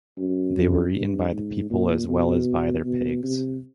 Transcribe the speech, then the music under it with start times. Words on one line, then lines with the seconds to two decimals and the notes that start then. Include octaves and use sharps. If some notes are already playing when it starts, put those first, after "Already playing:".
They were eaten by the people as well as by their pigs.
0.18 F#2
0.93 G2
1.31 G#2
1.70 A#2
2.08 B2
2.85 B2
3.23 C3